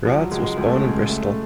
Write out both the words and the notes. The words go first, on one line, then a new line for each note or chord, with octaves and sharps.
Rahtz was born in Bristol.
F3 G3
F#3
C#2 G#3
G#3
C#2 G#3
A3
G#3
C#3
A3